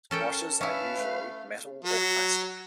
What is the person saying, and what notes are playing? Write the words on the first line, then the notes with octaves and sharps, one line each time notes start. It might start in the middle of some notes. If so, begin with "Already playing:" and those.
Washers are usually metal or plastic.
C#4 A4 A#4 G5 A5
C#4 E4 B4 F5
A3
F#3